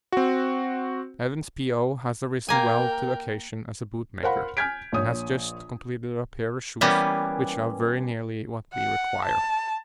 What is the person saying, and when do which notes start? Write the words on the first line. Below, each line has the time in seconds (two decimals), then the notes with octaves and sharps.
Evans, P.O., has arisen well to the occasion as a boot maker, and has just completed a pair of shoes which are very nearly what we require.
0.12 C4 F#4
2.49 A#3 A#4 G5 G#5
4.23 A#4 C5 F5 F#5 B5
4.57 G#5 F6 G6 G#6 B6 D7
4.92 A#1 C#5 D#6
6.81 E3 G3 A#3 B3 C#4
8.74 F#5
9.25 A5